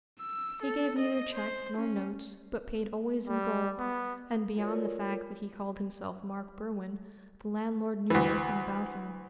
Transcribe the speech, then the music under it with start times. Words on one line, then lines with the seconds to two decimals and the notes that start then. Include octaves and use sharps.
He gave neither cheque nor notes, but paid always in gold; and beyond the fact that he called himself Mark Berwin, the landlord knew nothing about him.
0.20 E6
0.62 A4
0.99 D#5
1.33 C5
1.78 C#4
3.28 G3
3.79 B3
4.57 F4 F#4 A4 A#4 C#5 D5
8.10 D2 E3